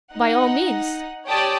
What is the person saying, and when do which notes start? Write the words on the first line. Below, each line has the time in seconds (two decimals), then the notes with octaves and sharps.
"By all means."
0.14 D#4 F#5
1.27 G4 C#5 D5 G5 A5 D#6